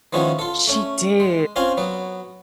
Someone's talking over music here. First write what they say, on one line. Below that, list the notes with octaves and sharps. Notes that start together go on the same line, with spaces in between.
she did,
D#3 F3 G#3 B3 C#4 E4
F4 A4
A3 C#4
G#3
C4 C#4 F4 F5 G#5
F#3 B3